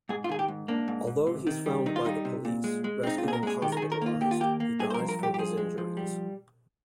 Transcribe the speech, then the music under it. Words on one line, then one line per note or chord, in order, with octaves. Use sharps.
Although he's found by the police, rescued and hospitalized, he dies from his injuries.
G#2 G#4
F4
D#3 G#4
G4
G#2
A#3 D4
G#2
G#2
C3
D#3
G3
D#3 D#4
F4
G3 D#4
C3
A#2
G#3
G#3
C4 D#4
F4
A#2 G#4
A#4
G#3 G#4
D#3 G4
A#4
G#4
D#3
A#4
A#3 F4
D#2 G4
F4
A#3 G4
A#3
G2 G#4
C5
A#4
F3
A#4
G2 G4
G4
F3 G#4
G#3
F3
G3